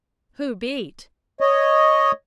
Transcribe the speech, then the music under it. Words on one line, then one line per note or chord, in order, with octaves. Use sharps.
"Who beat?"
C#5 D#5